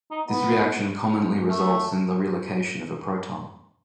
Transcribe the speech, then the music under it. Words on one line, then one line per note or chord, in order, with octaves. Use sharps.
This reaction commonly results in the relocation of a proton.
D#4
B3
A3